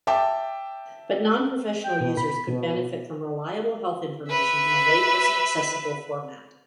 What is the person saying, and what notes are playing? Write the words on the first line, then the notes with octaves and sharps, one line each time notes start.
But nonprofessional users could benefit from reliable health information in a layperson-accessible format.
E5 G5 A5 D6
G5
B2
B5
B2
B4 E5